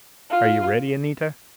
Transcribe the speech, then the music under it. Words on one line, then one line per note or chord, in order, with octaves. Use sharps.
"Are you ready, Anita?"
F4